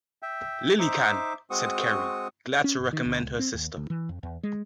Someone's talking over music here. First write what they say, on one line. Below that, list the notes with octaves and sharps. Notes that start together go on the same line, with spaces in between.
"Lily can," said Kerry, glad to recommend her sister.
E5 G5
D#4 C5 E5 D6
G#3 C4 F#4 C#6 D#6
C#4
G1
D#3
D2
C#2
C4
D#2
D2
E3
F2
E2
G#3